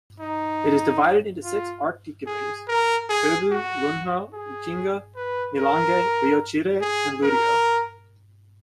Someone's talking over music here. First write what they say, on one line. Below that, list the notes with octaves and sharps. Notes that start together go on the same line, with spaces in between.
It is divided into six archdeaconries: Cobue, Lunho, Lichinga, Milange, Rio Chire and Lurio.
D#4
F4
G#4
A#4
G#4
F#4
G#4
B4
A#4
G#4
A#4